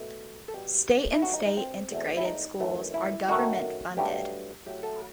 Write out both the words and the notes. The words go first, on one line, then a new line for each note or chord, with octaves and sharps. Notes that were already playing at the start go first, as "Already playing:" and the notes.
State and state integrated schools are government funded.
Already playing: B2 A3 A4
A4
B2 G3 G4
E4
G2 F#3 A3 F#4
D#4
D#4
C4
E2 B2 A3
E4
D#4
F#2 E3 A3
E4
F#2 D#3 A3 F#4
G2 F#3 A3 G4
A2 F#3 A3 G4
A4